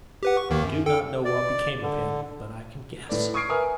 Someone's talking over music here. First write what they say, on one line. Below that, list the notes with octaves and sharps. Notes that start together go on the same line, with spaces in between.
I do not know what became of him, but I can guess.
G4 B4 F#5
C#6
D#2 D#3 A#3
F#2
A4 G5
D5
D3
A2 B4 D5
C#6 D#6 F6 G#6 C7 D7
A#4 B4 E5 G#5 D#6 F6